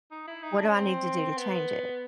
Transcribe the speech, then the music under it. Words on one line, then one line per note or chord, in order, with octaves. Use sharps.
what do I need to do to change it,
D#4
E4
D#4
D4
C#4
C4
C4
B3